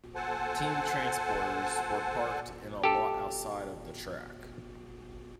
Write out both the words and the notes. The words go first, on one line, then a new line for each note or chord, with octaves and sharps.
Team transporters were parked in a lot outside of the track.
A4 C5 F#5 G#5 A5
G4 A4